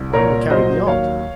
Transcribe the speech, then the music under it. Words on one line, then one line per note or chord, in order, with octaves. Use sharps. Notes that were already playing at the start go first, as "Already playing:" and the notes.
Mine would carry beyond.
Already playing: C2
A#2 A#4 C#5
F#3 C5 D#5
D#2 C#5 F5